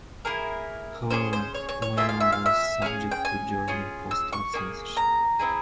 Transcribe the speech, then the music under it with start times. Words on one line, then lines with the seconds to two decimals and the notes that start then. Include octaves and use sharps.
However mail was subject to German postal censorship.
0.25 A#3 E4 G#4 A#4
1.10 C#4 E4 G#4 C5
1.33 C5
1.54 C#5
1.69 C#5
1.82 C#5
1.97 A#3 F4 G#4 E5
2.09 F5
2.20 E5
2.32 F5
2.46 E5
2.82 C#4 E4 G#4 F5
3.11 G5
3.25 G#5
3.68 C#4 F4 G#4
4.11 E6
4.33 C#6
4.53 A#3 E4 G#4
4.97 A#5
5.39 C4 E4 G#4